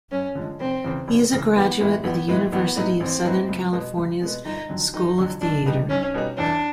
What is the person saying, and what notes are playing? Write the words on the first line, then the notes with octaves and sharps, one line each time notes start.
He is a graduate of the University of Southern California's School of Theatre.
F#2 C#4
D3 F3 G#3
F1 C4
E2 C#3
F1
E2 C#3
A1 B3
A2 E3 G#3 B3
A1 B3
A2 E3 G#3 B3
A1 B3
A2 F#3 B3 D#4
A1 C4
A2 F#3 B3 D#4
C#2
B2 G#3 B3
C#2
B2 G#3 B3
G1 D#4
F2 D3 F#3
G1 D#4
F2 D3 F#3
B1 D4
B2 G3 B3 D#4
B1 C#4
B2 G3 B3 D#4
E2 D4